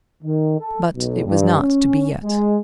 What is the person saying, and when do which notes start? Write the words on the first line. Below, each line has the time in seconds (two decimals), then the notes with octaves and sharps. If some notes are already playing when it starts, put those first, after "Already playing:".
But it was not to be yet.
0.23 D#3
0.59 A4
0.95 B1
1.25 G2
1.60 C#4
2.23 G#3